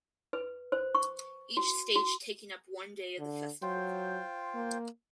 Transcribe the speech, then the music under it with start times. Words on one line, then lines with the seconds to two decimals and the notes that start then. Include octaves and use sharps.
Each stage taking up one day of the festival.
0.33 B4
0.72 C5
0.95 C#6
1.57 F#4
1.96 F#4
3.18 D3
3.62 F#3 F4 C5 G5
4.55 A#3